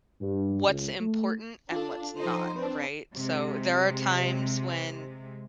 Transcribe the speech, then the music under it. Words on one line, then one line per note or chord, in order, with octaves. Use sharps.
what's important and what's not, right? So there are times when,
G2
C#2
A3
D4 F4 A4
F3 D#4 C5
C4 D4 B4 C5
C3 G#3